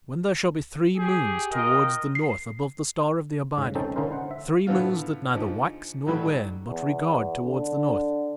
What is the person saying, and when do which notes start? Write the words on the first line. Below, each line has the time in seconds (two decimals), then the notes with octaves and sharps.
When there shall be three moons towards the north above the Star of the Abiding, three moons that neither wax nor wane but regard towards the North.
0.96 G4 G#4
1.52 F4 A#4 D#5 G5
2.15 C7
3.58 G#2 C#3
3.75 C4 C#4 D#4 A4 C5 G5
3.96 D3 C#4 D#4 E4 A#4 C5
4.12 C5 F#5
4.31 E5
4.67 A2 D3 E3 F3 B3 F4
5.34 G#2 D3 F3
6.06 A2 D#3 F#3 G3 A3
6.68 E2
7.44 D3